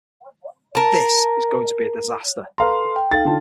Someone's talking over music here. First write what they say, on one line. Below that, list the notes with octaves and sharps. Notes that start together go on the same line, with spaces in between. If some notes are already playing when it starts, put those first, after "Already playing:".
This is going to be a disaster.
A#4 A5
A4 B4 F5 A#5 C6
G5
D#4 A4 F5 A6
D3 F4 A5